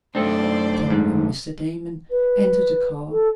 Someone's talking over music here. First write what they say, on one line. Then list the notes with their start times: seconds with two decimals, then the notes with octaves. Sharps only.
Tom and Mr. Damon entered the car.
0.15 F#2 A3 C4 D4 A4 C5 D5
0.90 G#2
2.10 B4
3.11 A4